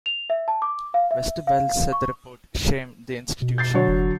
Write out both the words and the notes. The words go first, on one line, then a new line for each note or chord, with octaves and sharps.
Westerwelle said the report "shamed" the institution.
F7
E5
A5
D6
F5
E5
F5
C#6
B2
G6 A6 C7
D3 F#3 C#5
F1